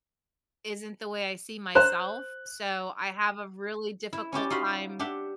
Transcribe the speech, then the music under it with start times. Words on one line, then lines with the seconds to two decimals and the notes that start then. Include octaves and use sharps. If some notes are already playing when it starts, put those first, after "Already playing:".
isn't the way I see myself, so I have a really difficult time
1.75 C5 A#5 F#6
4.13 E4
4.32 C#4 E4 G4 D5
4.50 D#4 F4 F#4 F5 B5 C6
4.99 D4 G4 E5 F#5